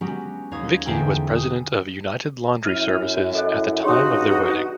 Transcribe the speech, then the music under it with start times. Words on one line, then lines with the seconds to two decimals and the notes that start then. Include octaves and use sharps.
Vicky was president of United Laundry Services at the time of their wedding.
0.01 F#3 G#3 B3 C#4 F#4 G4
0.51 D#2 C#5 F5 D#6 G#6
0.85 E2 D3 A#3 G5 G#5 E6
1.34 D#6
2.65 F#2 E4 F6 D#7 F7
3.35 A4 D#5 F#6
3.84 E2 G2 C#3 D#4 F#4 G#4 C#5 C6